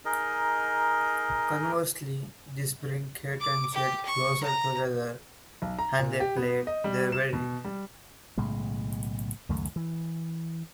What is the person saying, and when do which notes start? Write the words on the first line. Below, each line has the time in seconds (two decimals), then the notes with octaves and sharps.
Conversely, this brings Kate and Jed closer together and they plan their wedding.
0.05 D#4 G#4 A#4 D#5
3.40 D6
3.74 G4
4.05 C#6
4.43 A#5
5.62 B1
5.79 A#5
5.99 A#2
6.20 G4
6.37 B3
6.67 D#5
6.84 G3
7.12 E7
7.33 B2
7.64 G3
8.37 B1 A2 C#3 G#3
9.49 C#2 F#2 D#3 A3
9.76 E3